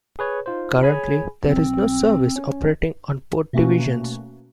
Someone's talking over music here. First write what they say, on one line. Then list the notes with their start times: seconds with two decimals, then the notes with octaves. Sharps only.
Currently, there is no service operating on both divisions.
0.19 G#4 B4 C#5
0.46 D#4 F4 C5
0.83 G#4 C#5 G#5 B5
1.43 B1 C4
2.36 C#4
3.53 B2 A3 A#3 C#4 F#4